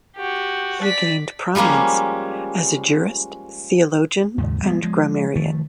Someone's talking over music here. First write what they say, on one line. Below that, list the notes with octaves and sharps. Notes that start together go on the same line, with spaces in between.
He gained prominence as a jurist, theologian and grammarian.
F#4 G4
D5 B6
F3 G3 G#3 A#3 C#4
D#2 G#2 C#3
G3 G#3 A#3 B3
F3 G#3
D#3 F3 A3